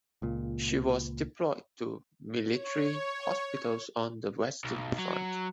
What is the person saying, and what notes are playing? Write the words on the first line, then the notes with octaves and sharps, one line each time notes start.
She was deployed to military hospitals on the Western Front.
C#2 A#2
C#5
B1
F#3